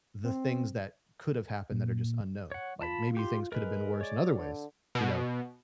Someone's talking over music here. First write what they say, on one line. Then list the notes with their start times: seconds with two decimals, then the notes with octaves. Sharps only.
the things that could've happened that are just unknown? Like, maybe things could've been worse in other ways, you know?
0.25 C4
1.72 A#2
2.52 C#5 F#5
2.81 F4 A5 B5
3.17 G4 C6
3.52 G#3 A#4 B4
4.01 C#5 D5
4.38 D3
4.95 B2